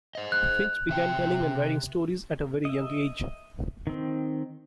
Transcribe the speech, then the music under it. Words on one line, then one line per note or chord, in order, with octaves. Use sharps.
Finch began telling and writing stories at a very young age.
C5 D#5
F#6
C3 E5 G5
D#5 E5
D#3 C4